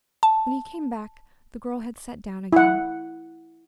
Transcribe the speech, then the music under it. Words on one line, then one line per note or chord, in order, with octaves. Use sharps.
When he came back the girl had sat down again.
A5
E4 F#5